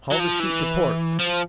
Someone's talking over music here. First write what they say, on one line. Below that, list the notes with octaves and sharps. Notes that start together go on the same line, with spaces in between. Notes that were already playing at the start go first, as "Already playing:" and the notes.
"Haul the sheet to port!"
F#3
F3
E3
F3